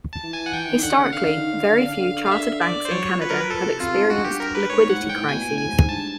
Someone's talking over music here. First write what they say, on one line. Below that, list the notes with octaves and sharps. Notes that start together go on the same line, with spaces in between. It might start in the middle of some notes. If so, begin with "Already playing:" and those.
Historically, very few chartered banks in Canada have experienced liquidity crises.
A5
E3
G#5
F#5
E3 G5
D#3
D3 F#5
C#3
D3 F5
D#3
D3
D3
C#3
D3
F5
E5
D5
C5
F#3 C#5
F3
B4
F#3 A#4
B4
F3 A4
C3
C3 F4
G#2
G2 F#4
G4
A#4
B4
G#2 C#5
F#5
A2
G#2 G5
A2
B2 G#5
A2
G#5
G#2
G2 A5